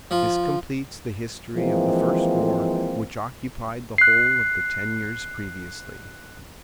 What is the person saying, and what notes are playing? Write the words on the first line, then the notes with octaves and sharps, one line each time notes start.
This completes the history of the first war, which occupied the whole of the ten years previously.
F3
E3 F3 G#3 A#3 C4
F#6 C7